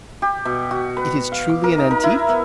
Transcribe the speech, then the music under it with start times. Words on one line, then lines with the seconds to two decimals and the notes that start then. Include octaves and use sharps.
"It is truly an antique?"
0.22 G4
0.45 B2
0.71 F#4
0.97 B4
1.32 F5
1.50 D6
1.64 A#4
1.78 D#4
1.91 A#4
2.03 E4
2.29 B3